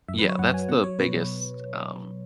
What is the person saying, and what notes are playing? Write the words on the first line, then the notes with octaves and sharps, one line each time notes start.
Yeah, that's the biggest, um
F#2 E5
B4
F#3
C#5
F#2 F#5
F#3 G#5
B2 F#5
F#3 C#5
B2 B4